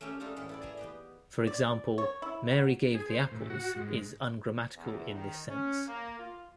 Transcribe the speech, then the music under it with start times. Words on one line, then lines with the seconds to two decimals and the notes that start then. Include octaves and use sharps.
For example, "Mary gave the apples" is ungrammatical in this sense.
0.01 A3 C#4 G4 A#4
0.20 G#3 A#3 D#4 F4 F#4 A4
0.37 A2 E3 A4
0.49 E4 A4 D5
0.62 G#4 D5 E5 G#5 A#5
0.77 B3 G4 D#5
1.47 D5
1.98 C#5
2.22 E4
2.51 F#3
2.95 G#4
3.09 C5
3.31 A2
3.50 F#4
3.76 G#2
4.75 E2
5.13 D#3
5.48 C#4
5.87 A#3
6.19 F4